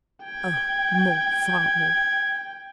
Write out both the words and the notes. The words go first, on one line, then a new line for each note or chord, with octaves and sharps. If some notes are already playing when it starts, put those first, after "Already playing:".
Oh, more--far more!
G5 G#6